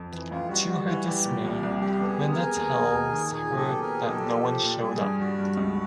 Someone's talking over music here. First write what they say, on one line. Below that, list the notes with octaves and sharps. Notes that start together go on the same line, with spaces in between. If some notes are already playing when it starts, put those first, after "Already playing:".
To her dismay, Linda tells her that no one showed up.
Already playing: F2
E3
A1 F4
G3 F#4
G3 F#4
E3 F#4
G3 G4
A#2
C2
C2
G3 G4
B3 A4
G#4
B3
G#4 A#4
B3
D#2
D#2
D#2
D#3
A#2 G#4
F#3
G4 A4
B3
G#4 A#4
A#2
B1 G4 A4
F3
F3
A#2
G3 G#4
G2
G3 F#4
G2
C#2